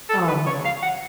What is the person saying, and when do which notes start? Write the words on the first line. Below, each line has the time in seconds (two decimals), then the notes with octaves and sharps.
Oh, yeah.
0.09 A4
0.28 B4
0.46 C#5
0.65 F5
0.83 F#5